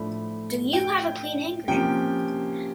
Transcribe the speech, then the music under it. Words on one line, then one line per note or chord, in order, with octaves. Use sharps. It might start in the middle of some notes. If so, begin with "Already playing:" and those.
Do you have a clean handkerchief?
Already playing: A2 F3 A3 D4 B5
G5
C3 F3 A#3 C#4 G5